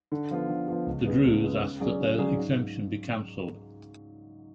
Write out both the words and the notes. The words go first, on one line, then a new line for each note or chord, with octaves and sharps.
The Druze asked that their exemption be canceled.
D3
F3 B3 F4
D3
F3 B3 F4
C#2
C#3 G#3 B3
C#2
C#3 G#3 B3
C#3
F#3 C#4 G#4 D5
C#3
F#3 C#4 G#4 D5
G#2